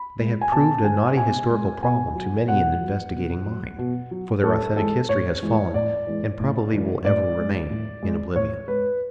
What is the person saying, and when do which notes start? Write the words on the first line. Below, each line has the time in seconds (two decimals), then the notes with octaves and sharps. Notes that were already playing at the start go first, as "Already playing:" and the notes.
They have proved a knotty historical problem to many an investigating mind; for their authentic history has fallen, and probably will ever remain in oblivion.
Already playing: B5
0.19 G#3
0.41 G#5
0.52 B2 A5
0.85 G#3 G#5
1.17 B2 G#5
1.50 G#3
1.83 B2 G#5
2.15 F#3
2.48 B2 F#5
2.81 F#3
3.13 B2
3.46 F#3
3.79 B2
4.11 F#3
4.44 A2 A4
4.76 E3 G#3 A4
5.09 A2 C#5
5.42 E3 G#3
5.74 A2 D5
6.07 E3 G#3
6.40 A2
6.72 E3 G#3
7.05 A2 D5
7.38 G#3
7.70 A2
8.03 G#3
8.35 A2 C#5
8.68 G#3 B4